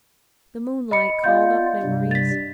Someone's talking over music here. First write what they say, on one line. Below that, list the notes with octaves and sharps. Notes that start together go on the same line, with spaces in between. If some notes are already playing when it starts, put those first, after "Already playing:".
The moonlight called up memories.
D#5 B5 C#7
B3 F4 D5 D#5 F5 G6
G2 C3 G3
A6 B6